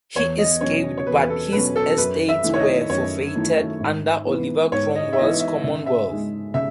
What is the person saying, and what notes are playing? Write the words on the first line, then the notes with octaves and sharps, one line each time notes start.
He escaped but his estates were forfeited under Oliver Cromwell's Commonwealth.
E2 C#5
D#5
B2 F#3 C#4 C#5
C#5
E2 B4
B4
A4
B2 F#3 C#4 B4
A4
F#2 B4
E5
D#3 A3 E4
C#5
D#5
F#2 C#5
D#3 A3 E4
G#2
E3 B3
G#2 C#5
D#5
E5
E3 B3 D#5
E5
C#3 E5
E5
G#3 D#4 G#4
C#3 E5